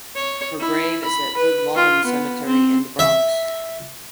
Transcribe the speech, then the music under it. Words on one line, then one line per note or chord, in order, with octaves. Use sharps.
Her grave is at Woodlawn Cemetery in the Bronx.
C#5
E4
B5
B4
F4
B3
C4
E5